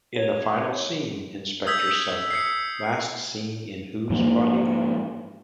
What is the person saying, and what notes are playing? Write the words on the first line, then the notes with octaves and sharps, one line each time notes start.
In the final scene, Inspector Sugg, last seen in Whose Body?
C#5
D#6 E6 G6 G#6 B6
C7 C#7
G#2 F3 A#3